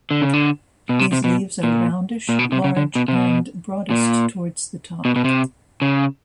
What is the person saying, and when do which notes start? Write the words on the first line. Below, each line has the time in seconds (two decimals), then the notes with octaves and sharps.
These leaves are roundish, large, and broadest towards the top.
0.11 D3
0.22 C#3
0.33 D3
0.89 B2
0.99 C3
1.12 C3
1.24 B2
1.63 A#2
2.29 A#2
2.39 B2
2.52 C3
2.64 C#3
2.77 D3
2.95 B2
3.08 C3
3.15 B2
3.91 A#2
5.05 B2
5.16 B2
5.24 C3
5.82 C#3